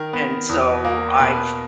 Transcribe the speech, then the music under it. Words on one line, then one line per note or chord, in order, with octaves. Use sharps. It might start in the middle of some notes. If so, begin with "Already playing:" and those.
And so, I've
Already playing: D#3 A#4
B3
E2
A#3
B2 B4